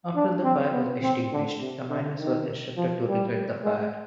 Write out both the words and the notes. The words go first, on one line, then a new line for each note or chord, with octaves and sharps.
After the fire was extinguished, the miners were instructed to relight the fire.
D4
C4
B3
C4
D3
C3
D3
D#3
F3
G3
G#3